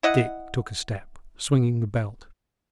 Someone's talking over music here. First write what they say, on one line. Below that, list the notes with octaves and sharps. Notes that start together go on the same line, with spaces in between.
Dick took a step, swinging the belt.
E4 D#5 F#5